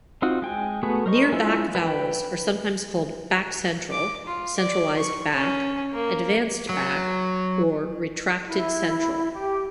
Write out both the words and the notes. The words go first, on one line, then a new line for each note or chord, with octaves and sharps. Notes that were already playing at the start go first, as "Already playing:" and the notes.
Near-back vowels are sometimes called back-central, centralized back, advanced back or retracted central.
C4 D#4 F4 F#4
G#3 G5 G#5
A3 B3 F#4 G#4 B4
A#4 C5 D#5 C#6
G#3 E4 F4 E5
B4 G5
D6
F4
D5
C#6
C#4
A#3
F#3
E4
G4